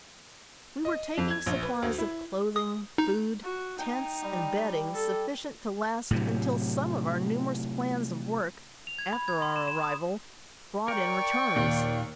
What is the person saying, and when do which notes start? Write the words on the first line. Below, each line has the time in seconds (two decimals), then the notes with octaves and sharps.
We were taking supplies of clothing, food, tents and bedding sufficient to last until some of our numerous plans of work after our arrival brought in returns.
0.85 D#5
1.17 F2
1.30 G#6
1.46 A#1
1.63 B4
1.82 D2
1.98 E4
2.56 D#6
2.98 D#4
3.42 F#4
3.79 D#4 G5 G#5 A#5
4.22 G3 G4
4.94 A4
6.11 A2 C3 F#3
8.87 F7
8.99 G#6
9.13 B5
9.28 G#6
9.42 C6
9.56 E7
9.68 E7
9.83 D#6
10.88 A#4 D5 G5 C#6
11.56 D#2 A#2